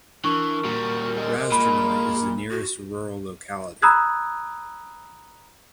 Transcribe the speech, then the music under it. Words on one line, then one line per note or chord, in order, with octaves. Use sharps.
Razdrornoye is the nearest rural locality.
E3 D4 A#4 C#6
A#2 G3 F#4
G#4 D#5
A#2 B5
F#4
A#5 B5 D#6 E6 F#6 G#6